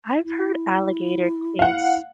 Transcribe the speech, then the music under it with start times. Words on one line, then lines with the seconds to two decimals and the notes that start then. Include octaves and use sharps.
I've heard alligator taste
0.24 E4
1.59 F5 F#5